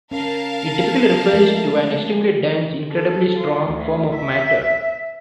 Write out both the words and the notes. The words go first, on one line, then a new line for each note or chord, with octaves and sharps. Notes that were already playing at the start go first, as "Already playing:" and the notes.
It typically refers to an extremely dense, incredibly strong form of matter.
C#4 A#4 F5 A5
F3 G#3 A3
A4
F4
D2
E5